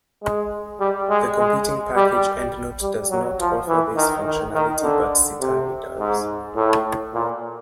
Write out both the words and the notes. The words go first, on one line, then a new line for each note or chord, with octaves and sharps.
The competing package EndNote does not offer this functionality, but Citavi does.
G#3
G3
G#3
G#3
G3
G3
F#3
F3
E3
D#3
D#3
D#3
D3
C3
G#2
A2
A#2